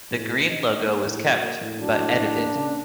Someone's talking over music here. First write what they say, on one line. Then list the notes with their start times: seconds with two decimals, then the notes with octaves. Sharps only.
The green logo was kept but edited.
0.11 A2
0.30 A#3
0.49 D#4
0.68 D#4
0.86 A#3
1.05 A2
1.23 F#3
1.42 A#3
1.61 A2
1.80 F#3 D4
1.98 A2
2.17 A2
2.37 A#3
2.55 C#3